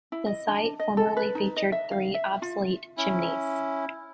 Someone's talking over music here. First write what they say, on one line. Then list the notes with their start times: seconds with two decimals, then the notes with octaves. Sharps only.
The site formerly featured three obsolete chimneys.
0.12 E4
0.26 D#5
0.48 D4
0.80 D#5
0.97 A4
1.17 B4
1.35 D#4
1.57 D#5
1.72 E5
1.92 F5
2.14 E5
2.42 F4
2.97 C#4 E4